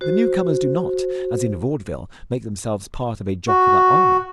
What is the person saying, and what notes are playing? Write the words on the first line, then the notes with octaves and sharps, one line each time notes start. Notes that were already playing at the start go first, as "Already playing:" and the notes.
The newcomers do not, as in Vaudeville, make themselves part of a jocular army.
F#4 C5
F#4